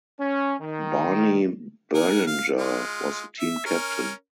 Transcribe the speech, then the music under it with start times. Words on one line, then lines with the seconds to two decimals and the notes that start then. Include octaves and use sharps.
Barney Berlinger was the team captain.
0.20 C#4
0.60 D#3
1.95 A#4 F#5 G#5
2.27 F5
2.58 G#3 F4
3.40 E5
3.66 C#4 A#4